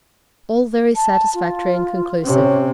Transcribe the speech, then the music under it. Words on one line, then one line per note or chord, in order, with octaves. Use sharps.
All very satisfactory and conclusive.
A5
F4
C3 C#4